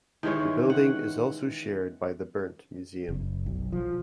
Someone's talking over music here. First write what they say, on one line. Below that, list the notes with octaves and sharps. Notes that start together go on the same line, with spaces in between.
The building is also shared by the Berndt Museum.
D#3 E3 G#3 C#5
F#5
F#1
B1
F3